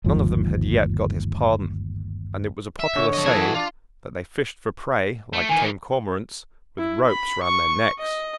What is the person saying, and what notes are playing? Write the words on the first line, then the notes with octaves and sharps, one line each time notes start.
None of them had yet got his pardon; and it was a popular saying, that they fished for prey, like tame cormorants, with ropes round their necks.
G1 D#2 G#2 F3
E5
D3 C#5
A4 D#5
E3 G#6
F#4
D4 F4
A3
D#3 E3 G#5
E4
B5
C#6
D#5